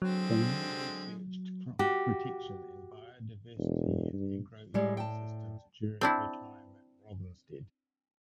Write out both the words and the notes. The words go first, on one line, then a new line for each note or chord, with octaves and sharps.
Garner researched crop protection and biodiversity in agroecosystems during her time at Rothamsted.
D3 F#3 G#3 C4
F#4 G4
E1
G2
A2 G3 G#3 D5
G5 A5
C4 D4 E4